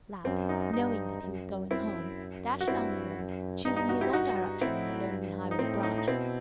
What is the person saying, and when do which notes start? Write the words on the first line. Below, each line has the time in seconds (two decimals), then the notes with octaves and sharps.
Lad, knowing that he was going home, dashed down the road, choosing his own direction when the lonely highway branched.
0.25 F#2 C4
0.49 D#4
0.73 G2 D#4
1.22 F#2
1.70 F#2 C4 E4
2.61 F#4
2.67 G2 C4 E4
3.16 F#2
3.64 G2 D#4
3.76 D#4
3.89 D#4 F#4
4.01 E4 G4
4.13 G2 D#4 F#4
4.61 A2 C4 E4
5.10 G2
5.51 D#4
5.58 A2 C4
5.83 D#4
5.98 D#4
6.07 B2 C4 E4